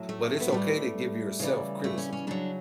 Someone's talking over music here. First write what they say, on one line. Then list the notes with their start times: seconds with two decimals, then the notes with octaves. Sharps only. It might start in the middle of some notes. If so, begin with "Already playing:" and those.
but it's okay to give yourself criticism,
Already playing: A2 F#3
0.09 A3
0.40 B3
0.52 A2 G3 A3
1.39 C#3 E3 G3
1.84 A3
1.98 C#4
2.13 C#4
2.27 C#3 F#3 D4